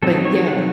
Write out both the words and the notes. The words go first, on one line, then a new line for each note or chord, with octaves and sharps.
but yeah,
F#3 C4 D#4 A4
C#5
F#5